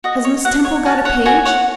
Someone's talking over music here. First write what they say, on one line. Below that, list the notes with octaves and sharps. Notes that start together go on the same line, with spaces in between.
Has Miss Temple got a page?
F#4 D#5
C#5
F#4 F#5
C#5
F#4 A5
C#5 F#5
F#4 G#5
C#5 F#5